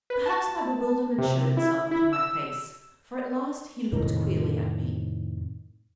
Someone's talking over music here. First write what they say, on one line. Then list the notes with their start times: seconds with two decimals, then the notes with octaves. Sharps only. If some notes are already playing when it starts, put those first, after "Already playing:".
Perhaps my bewilderment showed itself upon my face, for at last he looked queerly at me.
0.10 B4
0.26 A5
1.18 C3
1.57 E4
1.91 E4
2.13 E6
3.92 F2 A2 C3 D#3